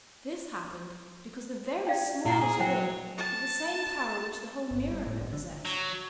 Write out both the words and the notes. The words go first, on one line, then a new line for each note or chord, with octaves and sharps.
This happened because the very smallest bit had the same power which the whole mirror had possessed.
D5 F5 G5
A#2 E4 F#5 A#5
G#4
F#3 C5 F#5 G5
A5
G1
G3
A2
G#1
D3
F#3